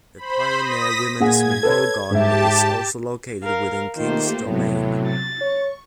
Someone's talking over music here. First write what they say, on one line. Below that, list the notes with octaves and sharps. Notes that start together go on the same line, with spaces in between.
The Pioneer Women's Memorial Garden is also located within Kings Domain.
C5 B5
D#6 A#6 B6
A#2 G#4 F#5 G#6
A4 B4 C#5
G#2 G4 E5 A5
A#4 F5
D#3 A3 A#3 F4 G4 C5
A2 C3 F#3 B3
A6
C#5 C#6